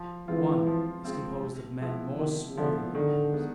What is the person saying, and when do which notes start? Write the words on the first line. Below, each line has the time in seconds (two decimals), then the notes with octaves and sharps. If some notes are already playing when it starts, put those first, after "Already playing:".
One is composed of men more swarthy than the others.
Already playing: F3
0.28 E3 G#3 C4 F4
0.67 F3
1.04 G#3 C4 F4
1.42 C3
1.81 F3 G#3 B3 E4
2.18 C3 D#3
2.57 D3 F3 G#3 B3 E4
2.95 D3 D#3
3.32 G#3 B3